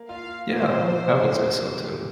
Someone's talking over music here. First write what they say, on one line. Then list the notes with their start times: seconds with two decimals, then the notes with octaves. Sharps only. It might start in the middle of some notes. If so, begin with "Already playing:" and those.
Yeah. I would I would say so too.
Already playing: A#3
0.09 F4 F5
0.52 A#2 C5
0.96 A#2
1.39 A#3
1.83 G4